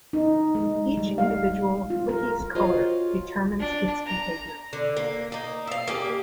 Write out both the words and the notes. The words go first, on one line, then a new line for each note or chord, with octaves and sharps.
Each individual flicky's colour determines its behaviour.
D#4
G#3
G3
F5
F4
A#4
F4 F#4 G#4 C5 C#5 D#5
D4
A#5
D3
A#3
A#3 D#4
E5 F5
A#3 G4 G#4